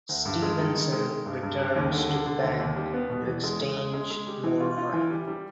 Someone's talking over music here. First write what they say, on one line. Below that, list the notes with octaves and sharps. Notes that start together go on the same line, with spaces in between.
Stevenson returns to the bank to exchange more money.
D2
G2
G#3
D#3
D#3
G#3
G#3
G2
G2
G3
D#2
D3
D3
D3
D#2
D#2
G3
B3
B2
E2
G#3
G#3
G#3
G#3
G#3
G3
E3
F4
F4
E3
G3
G3